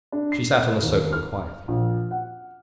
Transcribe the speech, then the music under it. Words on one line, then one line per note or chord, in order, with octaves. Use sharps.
She sat on the sofa quietly.
D4
C7
D#2
F6
A#1
F#5